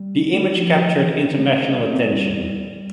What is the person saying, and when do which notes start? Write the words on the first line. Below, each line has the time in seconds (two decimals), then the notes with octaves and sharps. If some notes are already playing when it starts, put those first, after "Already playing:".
The image captured international attention.
Already playing: G3
0.33 A3
0.44 G3
0.56 F3
0.98 F3
1.05 E3
1.18 D3
1.31 D3
1.37 A3
1.43 G3
1.49 B3
1.55 A3
1.67 G3
1.80 A3
1.93 C4
2.05 G3